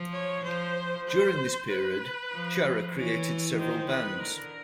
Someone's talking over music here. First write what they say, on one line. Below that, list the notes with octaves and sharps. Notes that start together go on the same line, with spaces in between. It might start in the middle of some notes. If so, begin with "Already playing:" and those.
During this period, Chara created several bands.
Already playing: F3
C#5
F3 C5
C5
B4
F3
E3 C#5
D#3 C5
B4
D3 A#4